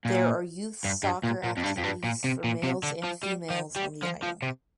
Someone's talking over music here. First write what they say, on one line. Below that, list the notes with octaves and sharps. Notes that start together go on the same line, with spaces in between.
There are youth soccer activities for males and females on the island.
A#2
G2
G2
A#2
A#2
F2
G2
F2
G2
A#2
C3
A#2
C3
D3
F3
G3
F3
G3
F3
F3
C3